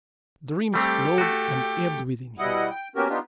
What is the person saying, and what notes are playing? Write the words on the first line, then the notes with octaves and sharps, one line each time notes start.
Dreams flowed and ebbed within him.
G3 A3 C4 G4 A4
A3 F#4
B2 G3 E4 D#5 F#5
G5
A#3 B3 C#4 F#4 G4 A#4
B3 D4 D#4 F4 G4